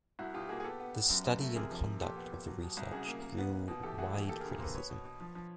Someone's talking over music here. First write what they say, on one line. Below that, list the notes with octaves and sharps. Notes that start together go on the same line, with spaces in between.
The study and conduct of the research drew wide criticism.
C2 E4 F#4
B2 F4 G4
A#3 F#4 G#4
G#4
B3 G4 A4
B3
B3
F#2
F#2
A3
C3 G#4 A#4
F3
F3
A#2 G4 A4
B3
A#2
F#3
B2
C2
C#3 F#4 G#4
A#3
A#3
B3
B3
B2
E3 G4 A4
A3 F#4 G#4
E3 F#4 G#4
A#3 G4 A4
G#4 A#4
D2
G#4 A#4
A#3 A4 B4 C5
B2 B4 C#5
B2
B2
F3
F3